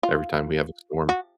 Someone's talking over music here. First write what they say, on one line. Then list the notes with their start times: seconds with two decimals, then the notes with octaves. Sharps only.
every time we have a storm.
0.03 F4
1.09 F#4